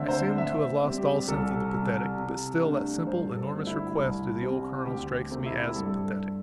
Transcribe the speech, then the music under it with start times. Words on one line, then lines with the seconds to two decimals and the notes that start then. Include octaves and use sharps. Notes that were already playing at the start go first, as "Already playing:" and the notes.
I seem to have lost all sense of the pathetic; but still, that simple, enormous request of the old colonel strikes me as pathetic.
Already playing: D2 D3 C4 E5
0.09 C5
0.38 A2 E5
0.83 G3 C4
0.98 G4
1.28 C2 A4
1.72 C3 G3
2.17 C3
2.62 A3 D4
3.07 G2 C5
3.37 A4
3.52 D3 A3
3.67 E4
3.88 E4
3.97 C2
4.42 C3 G3 C4
4.86 D2 G4
5.31 C3 A3 C4
5.46 E4
5.76 G2 A4